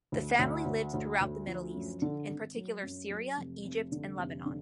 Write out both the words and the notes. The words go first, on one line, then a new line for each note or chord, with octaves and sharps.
The family lived throughout the Middle East, in particular Syria, Egypt, and Lebanon.
D2
D2
D2
D2
D2
F3
F#2
D3
G#1
F#3
F#2
F#3
F1
F1
D3
F1
D3